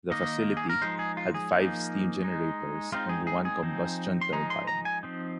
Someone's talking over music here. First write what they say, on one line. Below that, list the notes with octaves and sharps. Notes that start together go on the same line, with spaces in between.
The facility had five steam generators and one combustion turbine.
D#3 A#3 D#4 D#5
G#4
A#4
F3 G#3 D#4 C5
G#4
F4
G#4
F3 A#3 D#4
G#3 D#4
G#3 C4 D#4 F4
G#4
G#4
G#4
F3 C4 D#4
C6
F3 G#3 D#4 A#5
C6
A#5
G#5
F3 C4 D#4